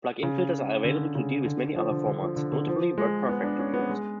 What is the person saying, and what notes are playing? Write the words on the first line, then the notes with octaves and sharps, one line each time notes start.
Plug-in filters are available to deal with many other formats, notably WordPerfect documents.
C#3
D3
C#3
D3
F3
D3
D3
F3
D3
D3
F3
G#3
B3
D4
C#4
B3
G#3